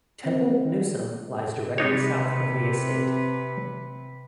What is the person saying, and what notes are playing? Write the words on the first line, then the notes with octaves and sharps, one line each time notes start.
Temple Newsam lies directly south of the estate.
C4
G#3
C3 D4 D#4 B4 C#5